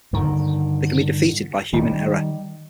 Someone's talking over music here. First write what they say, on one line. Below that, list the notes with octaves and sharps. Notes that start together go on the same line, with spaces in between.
They can be defeated by human error.
G2 D3 D#3
D#3 G3